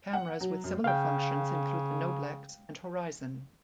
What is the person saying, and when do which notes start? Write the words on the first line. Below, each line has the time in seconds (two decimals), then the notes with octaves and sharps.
Cameras with similar functions include the Noblex and Horizon.
0.13 F#5
0.41 F#3
0.64 F#2
0.84 C#3 F5 G5